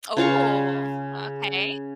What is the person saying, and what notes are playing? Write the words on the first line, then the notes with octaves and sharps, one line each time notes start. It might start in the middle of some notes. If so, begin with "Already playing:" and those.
Ooh, okay.
C#3 F4 F5 C#6